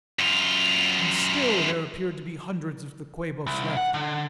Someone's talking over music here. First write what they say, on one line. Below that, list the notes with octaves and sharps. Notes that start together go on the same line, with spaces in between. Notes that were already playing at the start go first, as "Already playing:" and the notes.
And still there appeared to be hundreds of the Quabos left.
F#2 F4
C2
F#5
D3